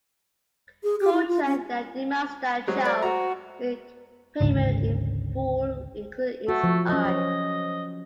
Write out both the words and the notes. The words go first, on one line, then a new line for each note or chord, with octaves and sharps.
Ko Chun then demands that Chau make payment in full, including his eyes.
G#4
G4
E4
F4
C#4
F#3 G#3 C5
D5
F#4 A#5
G#1 D2 G#2 C#3
A3 F#4
F3
F#3 C#4 D#5
C5 C#5